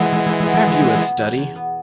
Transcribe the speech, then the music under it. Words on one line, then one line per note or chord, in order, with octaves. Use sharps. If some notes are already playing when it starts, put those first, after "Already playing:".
Have you a study?
Already playing: E3 G#3 B3
B2
E4
B3
B3
B3
B3
E2
E2
B3